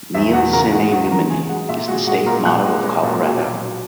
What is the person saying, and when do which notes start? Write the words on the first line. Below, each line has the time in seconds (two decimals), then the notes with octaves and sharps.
"Nil sine numine" is the state motto of Colorado.
0.14 E2 E5
0.33 E2 F#4 F#5
0.53 C#3 A#4 A#5
0.72 G#3 F#4 F#5
0.91 E2 F#4 F#5
1.11 E2 A#4 A#5
1.30 C#3 G#4 G#5
1.49 G#3 F#4 F#5
1.69 A#2 E5
1.88 G#3 F#4 F#5
2.07 G#3 F#4 F#5
2.26 A#2 A#4 A#5
2.45 A#2 F#5 F#6
2.65 G#3
2.84 G#3
3.03 A#2
3.23 B2
3.42 F#3
3.61 F#3